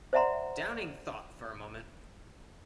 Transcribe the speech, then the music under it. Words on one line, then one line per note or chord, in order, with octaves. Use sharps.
Downing thought for a moment.
C5 D5 E5 F#5 A#5 C6